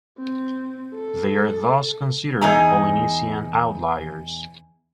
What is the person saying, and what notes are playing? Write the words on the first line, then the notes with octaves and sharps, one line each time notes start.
They are thus considered Polynesian outliers.
C4
A4
E2 D#4 G#4 A#5